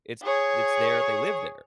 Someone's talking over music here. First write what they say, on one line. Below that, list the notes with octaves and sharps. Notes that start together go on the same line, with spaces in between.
It's it's their they live there.
G#4 C#5